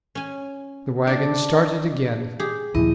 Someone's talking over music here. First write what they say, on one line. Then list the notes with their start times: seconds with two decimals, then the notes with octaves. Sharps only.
The wagon started again.
0.15 C#4 G#5
1.07 D4
2.40 G4 G#4
2.74 D#2 A#2 F3 E4 D#5